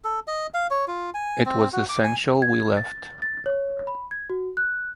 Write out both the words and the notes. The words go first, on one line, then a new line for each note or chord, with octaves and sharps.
It was essential we left.
A4
D#5
F5
C#5
F4
G#5
C4
F#4
D6
G#5
G#6
A6
A6
C#5
B5
G#6
F#4
F#6